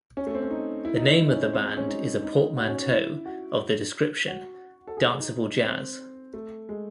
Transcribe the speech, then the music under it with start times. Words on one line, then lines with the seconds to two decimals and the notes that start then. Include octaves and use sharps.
The name of the band is a portmanteau of the description "danceable jazz".
0.17 C#4
0.27 A3
0.35 C4
0.43 C#4
0.51 D#4
0.85 E4
0.97 D#4
1.07 E4
1.19 D#4
1.31 C#4
1.42 C4
1.53 C4
1.65 G#3
1.77 C#4
1.88 D#4
2.23 D#4
2.57 F#4
2.69 C#4
2.80 C#4
2.91 E4
3.26 F#4
4.28 F#4
4.87 A4
4.97 G#4
5.20 D#4
5.31 D#4
5.65 C4
6.34 A3
6.69 G#3